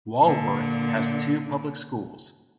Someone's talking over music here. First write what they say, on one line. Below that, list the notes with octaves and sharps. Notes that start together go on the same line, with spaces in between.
Walworth has two public schools.
A#2 D3